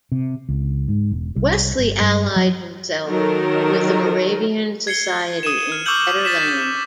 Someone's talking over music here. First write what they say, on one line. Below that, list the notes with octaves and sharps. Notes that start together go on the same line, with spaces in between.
Wesley allied himself with the Moravian society in Fetter Lane.
C3
C#2
G#2
E1
C2
G1
G2
F#3
D#3 F#3 A4 A#4
G#6 C7 C#7 G7
D#6 D#7 E7
F6
C#6 D6 E6 F6 G6 F#7
A6 B6 E7